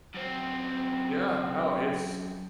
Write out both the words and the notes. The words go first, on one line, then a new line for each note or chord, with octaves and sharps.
Yeah, no, it's
F#2 C4